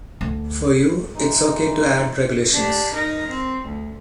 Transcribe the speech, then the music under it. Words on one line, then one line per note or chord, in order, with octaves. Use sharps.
For you, it’s ok to add regulations.
D2
A#2 E3 G#3 D#4
D4 G4
D#4 A#4
C4
D2